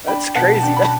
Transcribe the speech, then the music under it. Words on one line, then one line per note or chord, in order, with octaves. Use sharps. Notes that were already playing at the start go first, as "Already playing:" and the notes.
that's crazy. That
D4 G5 B5
B2 F#5 A5
A5
D4 G5
B5
A5